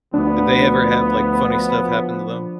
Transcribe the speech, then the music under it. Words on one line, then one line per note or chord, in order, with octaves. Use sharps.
Did they ever have, like, funny stuff happen to them?
D2 F3 B3 D4